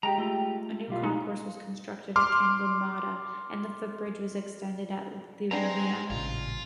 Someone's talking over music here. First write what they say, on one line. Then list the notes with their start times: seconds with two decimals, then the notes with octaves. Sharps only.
A new concourse was constructed at Cabramatta and the footbridge was extended at Leumeah.
0.03 G#3 G4 G5 A#5
0.18 A3 F4 A4
0.88 B1 G3 F4
1.04 G#3 D#4
2.16 C6 D6 F6
5.51 E3 G#3 C4 D4 C5 G#5 A#5
6.10 A1 A#2 C#3 F4